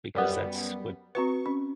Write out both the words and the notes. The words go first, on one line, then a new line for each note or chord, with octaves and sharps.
because that's what,
F#2 G3 B3
C4 F#4 B4 C#6
C#4